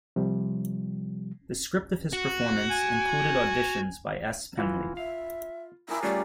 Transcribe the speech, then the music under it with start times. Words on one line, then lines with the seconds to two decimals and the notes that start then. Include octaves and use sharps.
The script of this performance included additions by S. Penley.
0.16 C3 F3 G3
2.13 F#4
2.70 G#5
4.58 E3 F4 F#4 B5
4.97 E5 F5
5.88 E4 G4 G#4 A#4
6.03 G3 A3 C#4 F4 D5